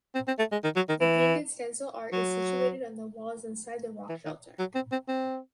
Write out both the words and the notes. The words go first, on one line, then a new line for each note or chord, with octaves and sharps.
The painted stencil art is situated on the walls inside the rock shelter.
C4
C4
A3
G#3
D#3
F#3
D#3
E3
F#3
E3
D#3
F#3
C4
C4
C4